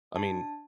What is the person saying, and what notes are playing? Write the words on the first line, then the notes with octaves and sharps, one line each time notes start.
I mean
D4 A5